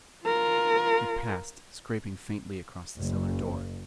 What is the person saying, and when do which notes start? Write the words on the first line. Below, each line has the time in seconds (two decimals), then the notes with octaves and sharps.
It passed, scraping faintly across the cellar door.
0.24 F4 A#4
2.97 F#1